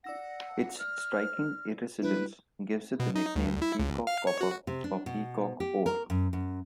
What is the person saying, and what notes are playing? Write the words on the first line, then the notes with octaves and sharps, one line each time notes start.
Its striking iridescence gives it the nickname "peacock copper" or "peacock ore".
D5 F#5 E6 A#6
F6
G3 D4 E4 B4
B2
D#4
D2
E4
C#2
F5
C#5
F#4
C3
D4
B2
G4
A#4
F#2
F#2